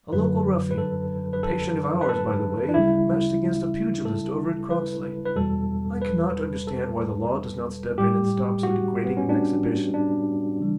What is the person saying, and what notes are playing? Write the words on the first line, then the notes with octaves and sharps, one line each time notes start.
A local ruffian, a patient of ours, by the way, matched against a pugilist over at Croxley. I cannot understand why the law does not step in and stop so degrading an exhibition.
F#2 D3 F#3 B4
B4
A4
B4
A4
B4
A4
D4
D2 C#3 G3 E4
A4
B4
B4
E2 B2 G3 A4
B4
A4
A2 G3 G4
F#4
B3
C#4
D4
D4
C#3 E3 G3